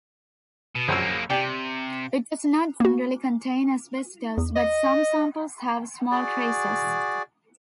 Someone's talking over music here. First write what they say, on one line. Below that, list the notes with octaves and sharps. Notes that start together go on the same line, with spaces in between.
It does not generally contain asbestos, but some samples have small traces.
B2
A#1 F#2 G#3 A#3 E6
C3 G4 D5 G5
A#3 F#4
E2
D#5
F#4 G#4 D5